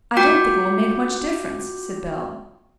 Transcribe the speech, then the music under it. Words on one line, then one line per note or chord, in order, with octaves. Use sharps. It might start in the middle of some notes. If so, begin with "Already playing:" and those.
"I don't think it will make much difference," said Bell.
F4 F#4 G5 D6 G6